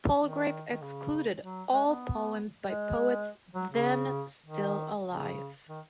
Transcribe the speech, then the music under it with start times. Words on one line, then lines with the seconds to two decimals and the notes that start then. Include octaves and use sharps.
Palgrave excluded all poems by poets then still alive.
0.20 D#3
0.71 D#3
0.82 C#3
1.42 F#3
1.72 G#3
1.88 B3
2.64 G#3
3.55 F#3
3.71 C#3
4.46 D#3
5.08 C#3
5.69 D#3